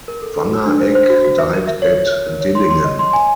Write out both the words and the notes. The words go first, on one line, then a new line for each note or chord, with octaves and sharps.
Wangereck died at Dillingen.
A#4
A4
A4
F#4
D4
C5
C5
F#4
F#4
E5
A#4
E5
C#5
C#5
E5
A#4
C#5
C6
C6
D#5
C6
G#5